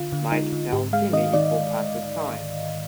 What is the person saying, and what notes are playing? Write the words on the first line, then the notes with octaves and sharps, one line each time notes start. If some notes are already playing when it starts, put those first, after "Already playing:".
Mike tells Jimmy it will pass with time.
Already playing: D3 F4
D3
G#3 D#4
D3
G#2 G4
G#3 F5
D#3 D#5
D#3 D5